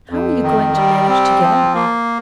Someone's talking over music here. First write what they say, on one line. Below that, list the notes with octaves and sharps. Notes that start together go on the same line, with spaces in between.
"How are you going to manage to get out?"
F2
D#3
G3
C4
F3
A#3